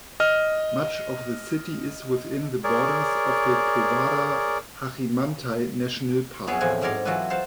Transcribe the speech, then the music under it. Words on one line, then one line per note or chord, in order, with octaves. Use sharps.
Much of the city is within the borders of the Towada-Hachimantai National Park.
D#5 F6
G#4 A#4 C#5 D5
F#3 B3 G#4 B4 C#5 E5
E2 A2 F3 C4 F#5 G#5
G#2 F#3 A#4 C#5 D5 C6
E3 F#3 F4 F#4 A4 B4
C5 F5 F#5 A5